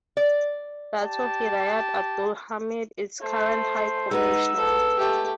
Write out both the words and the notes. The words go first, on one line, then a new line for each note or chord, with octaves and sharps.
Dato’ Hidayat Abdul Hamid is current High Commissioner.
D5
G4 A5
A3 C5
G#3 B3 D#4 B4 E6
A4
A3 G4